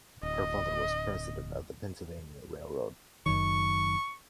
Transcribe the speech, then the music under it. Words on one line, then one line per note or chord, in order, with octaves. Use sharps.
Her father was president of the Pennsylvania Railroad.
D1 D#5
F#1 F#2 D#3 C#6